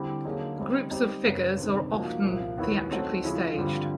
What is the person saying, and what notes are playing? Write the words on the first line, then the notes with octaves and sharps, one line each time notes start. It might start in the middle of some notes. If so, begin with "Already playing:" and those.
Groups of figures are often theatrically staged.
Already playing: D3 G3 C4 E4 G4
D3 F#3 A#3 D#4 G#4
G3 C4 D#4
G3 C4 D#4 G4 C5
F#2 C#3 F#3 B3
D2 C3 D#3
F3 A#3 D#4 F#4
C2 A#2 F3
D#2 D#3 F#3 B3 E4
F#3 A3 C4 D#4 F#4
C#3 F3 G#3 C#4 E4
G2 D3 G3 C4 F4